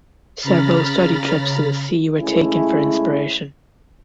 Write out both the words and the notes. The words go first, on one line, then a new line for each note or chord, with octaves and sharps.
Several study trips to the sea were taken for inspiration.
C#3 A#5 B5 F6 A6
C#3 G#3 A3 C#4 E4